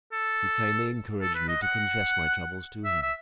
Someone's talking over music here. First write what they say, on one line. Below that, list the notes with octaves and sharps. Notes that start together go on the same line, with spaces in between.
He kindly encouraged me to confess my troubles to him.
A4
A4
B4
D#5
F#5
E5
E5